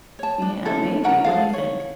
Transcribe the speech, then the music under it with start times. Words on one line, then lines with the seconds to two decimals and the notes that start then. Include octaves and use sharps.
Yeah, maybe, what do you think?
0.19 C#5 A5
0.42 D4
0.65 C#4 E4 A4
1.04 C#4 A#4 F#5 A#5
1.24 A4 F5
1.53 C#5